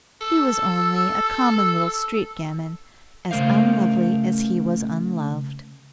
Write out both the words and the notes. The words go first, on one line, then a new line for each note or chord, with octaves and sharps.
He was only a common little street gamin, as unlovely as he was unloved.
A4 E6
C#3 A3 A#4 C5 F5